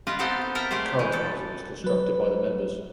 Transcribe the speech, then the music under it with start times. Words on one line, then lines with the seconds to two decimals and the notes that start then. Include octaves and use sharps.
The current housing was constructed by the members.
0.07 F4 G4 B4 D#5
0.19 B3 C4 D#4 G4 A4 C5
0.55 A4 A#4 E5 A#5
0.71 A3 G4 G#4 C5
0.99 E3
1.13 A4
1.84 F#3 B4